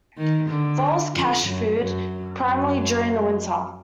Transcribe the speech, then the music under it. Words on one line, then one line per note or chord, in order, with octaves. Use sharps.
Voles cache food, primarily during the winter.
D#3
D3
F2 F3
F#2 F#3
F#2 F#3
F#2 F#3